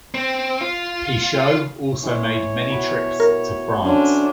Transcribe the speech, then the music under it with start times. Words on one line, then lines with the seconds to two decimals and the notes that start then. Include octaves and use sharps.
Pichot also made many trips to France.
0.14 C4
0.61 F4
2.03 E3 C#5 C6
2.70 B2 B5
3.20 A#4
3.82 D3 F#3 C#4 D4 C5